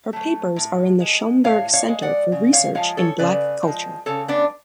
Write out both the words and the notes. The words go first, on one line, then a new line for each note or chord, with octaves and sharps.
Her papers are in the Schomburg Center for Research in Black Culture.
F#3 A3
A2
G#3
A2 C#5 F5
C#5 F5
G#3
D5 F#5
C#3
C#5 F5
F3 G#3 C#5 F5
A4 C#5
C#3 B4 D5
F3 G#3
C#3 A4 C#5
B3 D4